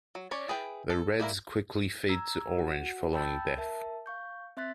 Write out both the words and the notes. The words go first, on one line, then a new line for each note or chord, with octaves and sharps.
The reds quickly fade to orange following death.
F#3
C#4 C#5 D5
E4 G#4 B4 G5
A4
G3 A#3 E4 A#4
A#5 E6 G#6
F#4 F#5
G5 A5 B5 E6 G6 A6
A#4 E5 A5
F5 C#6 G6
C4 E5 C6 F#6 A6 B6